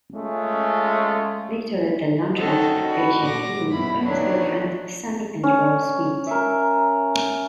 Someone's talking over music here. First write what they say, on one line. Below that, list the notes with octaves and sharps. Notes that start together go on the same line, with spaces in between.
Later at a launch party for Asia Blue, Benny's girlfriend, Sunny and Rose meet.
G#3 A3 C#4 F4
D#3 C#4 F#4 A4 C5 D#5
F#4 B5
A#2 D6 A#6
F#2 B2 E4 B5
D#3 E3 F#3 A3 D4
C#4
A#4 E5